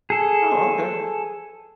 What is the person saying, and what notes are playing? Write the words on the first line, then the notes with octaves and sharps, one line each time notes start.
Oh, okay.
G#4 A4